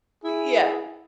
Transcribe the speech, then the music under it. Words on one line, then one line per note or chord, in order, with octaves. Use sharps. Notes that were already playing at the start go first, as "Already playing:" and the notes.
Y yeah.
E4 G#4